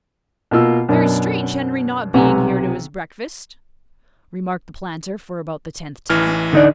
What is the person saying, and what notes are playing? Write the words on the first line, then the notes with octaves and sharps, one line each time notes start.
"Very strange Henry not being here to his breakfast!" remarked the planter, for about the tenth time.
B2 A#3 F4 E6
F#2 B2 D4 A#4
B1 C3 B4 F#5 G#5 A#5
A1 E3 F6
D3 D#4 D5